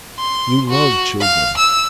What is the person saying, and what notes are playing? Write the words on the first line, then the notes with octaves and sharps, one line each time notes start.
You love children.'
C6
F#4
F5
E6